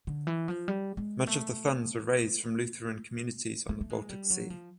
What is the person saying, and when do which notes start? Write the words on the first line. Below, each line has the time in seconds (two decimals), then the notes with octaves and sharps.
Much of the funds were raised from Lutheran communities on the Baltic Sea.
0.07 D3
0.27 E3
0.48 F3
0.68 G3
0.97 G#3
1.27 A3
3.69 A3
3.81 A3
3.90 G#3
4.10 G3
4.30 F#3
4.50 F3